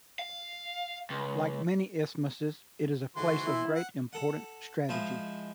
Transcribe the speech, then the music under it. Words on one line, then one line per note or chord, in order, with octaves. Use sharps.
Like many isthmuses, it is a place of great important strategy.
F5
C#2
G#2 D3 E3 F#4 C6
E4
F#5
A4 F#5
F3 G#3 E4